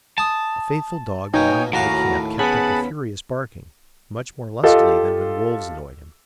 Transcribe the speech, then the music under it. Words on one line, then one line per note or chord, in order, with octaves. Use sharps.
A faithful dog belonging to the camp kept up a furious barking, much more lustily than when wolves annoyed him.
G#5 A5 D#6
B2 A#3 D#4 C#5 G5 G#5
D#2 A2 F#4 F5 A#5 D6
B3 C#4 G#4 F#5 A5 B5
F4 G4 A4 D#5